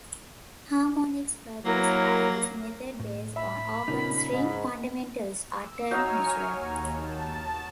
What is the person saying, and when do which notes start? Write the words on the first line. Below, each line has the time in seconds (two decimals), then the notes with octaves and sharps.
Harmonics produced by this method based on open-string fundamentals are termed natural.
1.65 F#3 A#3 E4 A#4 C#5
3.00 A2
3.36 E5 B5
3.88 A#2 C#3 A#3 D#4
4.31 G#2
5.59 E6
5.91 F#3 D#4 C#5 F5 G#5 F6
6.53 D#2
6.94 A5